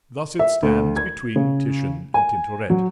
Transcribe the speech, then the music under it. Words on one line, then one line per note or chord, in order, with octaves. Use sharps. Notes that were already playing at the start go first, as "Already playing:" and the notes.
Thus it stands between Titian and Tintoret.
E5
D2
G#6
C#3
G#5
F#3